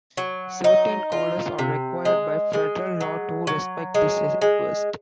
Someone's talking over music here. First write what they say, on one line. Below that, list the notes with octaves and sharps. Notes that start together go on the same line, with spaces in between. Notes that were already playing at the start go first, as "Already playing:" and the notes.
Certain callers are required by federal law to respect this request.
F#3
D#4
F4
C3
G#3
G#3
F#3
F#3
G#3
G#3